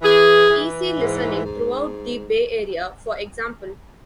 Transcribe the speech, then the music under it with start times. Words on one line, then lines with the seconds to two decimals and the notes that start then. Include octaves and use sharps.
Easy listening throughout the Bay Area, for example.
0.03 E3 G#4
0.50 E3
0.98 G#2
1.45 G#2